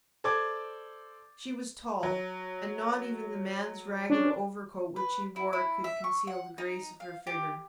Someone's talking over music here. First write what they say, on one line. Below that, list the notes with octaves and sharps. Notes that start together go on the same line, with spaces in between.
She was tall, and not even the man's ragged overcoat which she wore could conceal the grace of her figure.
A4 C5 D5 D6 G#6 A6
F#3
C#4 D4
B4
E4
E4
E5
C#6
F#5
D#4
F5
G4